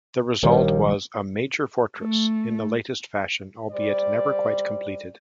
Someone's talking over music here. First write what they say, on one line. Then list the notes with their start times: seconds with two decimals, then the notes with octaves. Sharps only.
The result was a "major fortress in the latest fashion", albeit never quite completed.
0.43 A#1 D#2 D#3 G3
1.99 A3
3.71 G3 C5 D5